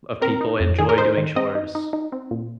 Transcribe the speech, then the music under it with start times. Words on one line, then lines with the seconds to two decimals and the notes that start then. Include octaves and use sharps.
of people enjoy doing chores.
0.21 C4 A#4
0.41 D#4
0.60 F2
0.79 D#3 G#4
0.89 A#4
0.98 D#4 C5
1.17 D#3
1.36 C4 D#5
1.55 D#4
1.75 D#4
1.93 D#4
2.12 C4
2.31 A#2